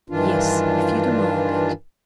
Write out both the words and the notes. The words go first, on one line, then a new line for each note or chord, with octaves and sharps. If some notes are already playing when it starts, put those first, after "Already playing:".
"Yes, if you demand it."
G2 D#3 E3 D4 F4